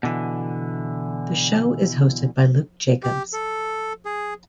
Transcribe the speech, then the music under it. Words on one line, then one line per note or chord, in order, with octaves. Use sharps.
The show is hosted by Luke Jacobz.
B2 D3 E3
G4
A4
G#4